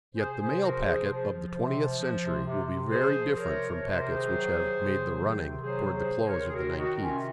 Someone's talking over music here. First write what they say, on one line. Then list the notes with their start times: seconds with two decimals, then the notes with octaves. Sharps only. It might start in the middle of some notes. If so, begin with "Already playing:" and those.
Yet the mail-packet of the twentieth century will be very different from packets which have "made the running" towards the close of the nineteenth.
0.15 C3 G#4 C5
0.38 C3 G#4 C5
0.61 F3 F#4 A#4
0.84 C3 G#4 C5
1.07 F3
1.30 F3
1.52 C3
1.75 F3
1.98 F3
2.21 C3
2.44 C3
2.66 C3
2.89 F3 G#4 C5
3.12 F3
3.35 C3 A#4 C#5
3.57 F3
3.81 C3 C#5
3.90 C5
3.99 D#3 A#4
4.09 G#4 C5
4.27 F#3
4.48 C3
4.72 C3
4.94 F#3
5.17 D#3
5.41 C3
5.63 F#3 G#4 C5
5.86 C3
5.93 G#4 C5
6.09 C3
6.25 A#4 C#5
6.32 C3
6.45 G#4
6.54 D#3 F#4 A#4
6.77 D#3 D#4 F#4
7.00 C3 C#4 F4